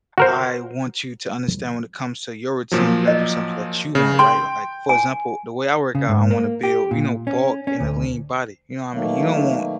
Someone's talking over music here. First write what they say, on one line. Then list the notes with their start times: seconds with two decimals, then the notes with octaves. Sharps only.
I want you to understand when it comes to your routine, you gotta do something that you want." Right? Like, for example, the way I work out, I wanna build you know, bulk and a lean body, you know what mean? You don't want
0.18 F#4 A#4 C5
2.72 A#2 F3 F#3
3.08 D#5
3.95 C#3
4.19 G5 C6
4.89 G#5
5.95 C#3
6.09 G#2
6.31 A#3
6.63 G4
6.91 A#2
7.27 C#4
7.67 C#4
7.80 D2
8.93 B2 D#3 F#3 A3 A#3